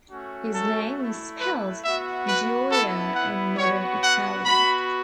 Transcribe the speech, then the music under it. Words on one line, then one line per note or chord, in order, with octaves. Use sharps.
His name is spelled Gioia in modern Italian.
A3 C#4 F#4
A4
A3 E4
B4
B3 F#4 E5
B4
B3 A4
E4
F#5
B3 F#4 C#5
F#5
B3 F#4 B5